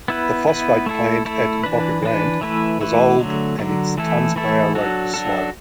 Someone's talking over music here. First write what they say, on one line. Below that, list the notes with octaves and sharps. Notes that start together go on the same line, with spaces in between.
The phosphate plant at Boca Grande was old and its tons-per-hour rate was slow.
B3 E4 B4
B3 E4 B4
A3 E4 A4
A3 E4 A4
E3 D4 B4
E3 D4 B4
E3 A3 E4 B4
E3 A3 E4 B4
D3 F#3 A3
D3 F#3 A3
E3 A3 E4 A4
E3 A3 E4 A4
F#3 D4 F#4 A4
F#3 D4 F#4 A4